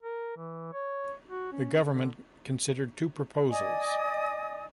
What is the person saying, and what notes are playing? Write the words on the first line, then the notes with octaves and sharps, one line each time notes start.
The government considered two proposals.
A#4
E3
C#5
F#4
C#4
D3
D5 D#5 G#5 D#6